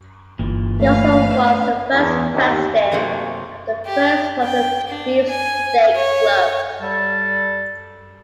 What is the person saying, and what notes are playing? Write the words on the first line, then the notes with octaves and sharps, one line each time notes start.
He also was the first president of the first London Beefsteak Club.
G1 A#2 E3
A3 B4 F5
C5 E5
E2
D#2
C3 F#3 A3 A#3 C4
G4
G5
D4
G#5
C#5
G3 A4